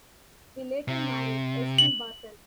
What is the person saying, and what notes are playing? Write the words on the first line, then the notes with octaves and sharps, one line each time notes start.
He later married Esme Barton.
C3
F#7